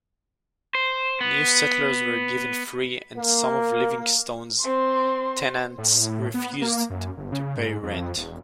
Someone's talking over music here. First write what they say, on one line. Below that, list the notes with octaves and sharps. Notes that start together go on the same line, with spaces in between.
New settlers were given free, and some of Livingston's tenants refused to pay rent.
C5
B3
A#3
C4 C6
A2
B3
A#3
F#2
G1
C#3
G#2
F2
E1